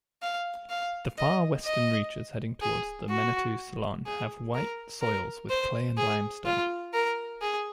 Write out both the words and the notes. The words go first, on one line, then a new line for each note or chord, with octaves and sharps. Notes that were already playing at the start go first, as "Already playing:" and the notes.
The far western reaches heading towards Menetou-Salon have "white" soils with clay and limestone.
F5
F5
D#5
D#5
G#4
F#4
G#4
A#4
A#4
C5
G#4
F4
A#4
G#4